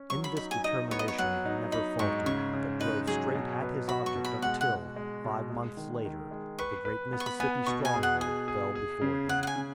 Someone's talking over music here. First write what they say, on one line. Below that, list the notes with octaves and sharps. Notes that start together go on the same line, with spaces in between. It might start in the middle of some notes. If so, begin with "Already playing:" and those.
In this determination he never faltered, but drove straight at his object until, five months later, the great Mississippi stronghold fell before him.
Already playing: C#4
F#3 C#6
B5
D#4 B5
G#5
D#4 D#5
B3 C#5
D#5
C#5
F#3 F#5
D#4
D#4 B5
G#2 C#6
C#3 C#6
C#3
D#4 B4
F#3 G#4
B2
B4
F#4 B5
C#6
B2
B5
G#3 F#5
F#5
B2
G#3
B2
G#3
D#3
D#3
G#3
B4 C#6
B4
B3
C#6
B5
B3 G#5
B2 C#6
G#5
G#4
F#5
G#4 G#5
G#4
G#4
C#3
C#3 F#5
F#5
G#5
C#3